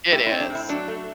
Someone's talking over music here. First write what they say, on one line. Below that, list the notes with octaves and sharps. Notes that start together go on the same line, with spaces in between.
It is.
A3 E4 G4
E4
C4
D4
A2
E4
F#3 D4
A3